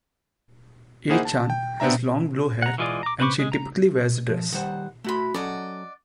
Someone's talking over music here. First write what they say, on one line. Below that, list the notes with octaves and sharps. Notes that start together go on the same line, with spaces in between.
A-chan has long blue hair and she typically wears a dress.
A#3 D#4 E4 G#4 C5 F#5
A5
G5
B3 C4 D4 E5 A#5
F#5 A#5
E3 G#3 F4 G#4 D5
A#5 D6
B4 C5 B5 C#6 D6
G#3
A#5
F3
D#3 G3 C5 F#5
A3 E4 F#4 B5 C6
F#3 C#4 A4 D5 D#5 F#5